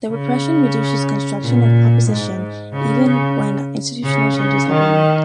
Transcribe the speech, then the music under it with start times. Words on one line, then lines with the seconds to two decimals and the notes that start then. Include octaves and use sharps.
The repression reduces constructive opposition even when institutional changes have been made.
0.10 C#3
1.42 A#2
2.07 G#2
2.73 C#3
3.06 C#3
4.04 C#3
4.36 C#3
4.69 D#3